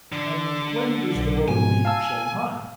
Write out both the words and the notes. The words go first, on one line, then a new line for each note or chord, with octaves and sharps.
"And when does the boat leave Shanghai?"
D3
B1
G#2 B2 F3 G#5
F5 A5 E6